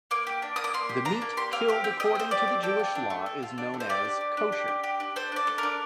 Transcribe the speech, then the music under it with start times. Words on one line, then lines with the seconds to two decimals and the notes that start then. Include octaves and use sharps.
The meat killed according to the Jewish law is known as kosher.
0.11 A#3 D6
0.27 G4
0.42 D4
0.56 A#3 D#6
0.64 D6
0.74 A#3 C6
0.89 G4
1.05 D4 A#5
1.22 A#3
1.37 G4 C6
1.53 C4 F5
1.68 G4 F5
1.84 C4 G5
2.00 G4 D#5
2.15 C4 C5
2.31 G4 D5
2.48 C4
2.63 A4 G5
2.80 F4
2.95 D4
3.10 A3
3.26 A4
3.43 F4
3.58 D4
3.74 A3
3.80 C5
3.89 G4 D5
4.05 D4
4.21 G4
4.37 D4
4.52 G4
4.68 D4
4.84 G4
5.00 D4
5.16 A4 C5
5.32 D4 D5
5.47 A4
5.58 D4 A#4